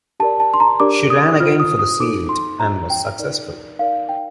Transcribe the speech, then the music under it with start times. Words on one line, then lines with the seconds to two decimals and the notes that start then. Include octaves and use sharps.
She ran again for the seat, and was successful.
0.20 G4 A#4 D5 A5
0.40 A5
0.54 C6
0.60 A#5
0.80 D4 G4 A#4 D5 D6
1.10 D#6
1.40 F4 C5 F6
1.60 D#6
1.79 D#6
2.00 D#4 A4 C5 D6
2.29 C6
2.60 D4 F4 C5 A#5
2.90 G5
3.19 D#4 A#4 D5
3.79 D#4 A#4 D5 F5
4.09 G5